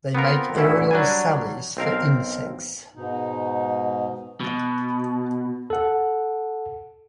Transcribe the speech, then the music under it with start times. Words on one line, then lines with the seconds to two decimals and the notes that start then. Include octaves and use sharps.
They make aerial sallies for insects.
0.15 B3 C4 F4 A#4
0.55 A1 D2 D3 C#4 E4
0.91 F#3 G3 D4 B4 G#5
1.77 B1 C4 A#4 F5
2.96 G#2 B2 D#4
4.40 B2
5.70 A4 F#5